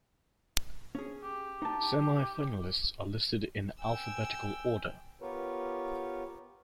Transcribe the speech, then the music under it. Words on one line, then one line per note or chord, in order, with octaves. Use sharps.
Semi-finalists are listed in alphabetical order.
C#4 G#4
G4
D#4 A5
G5 G#5 E6
B3 F4 G4 A#4 B4 C#5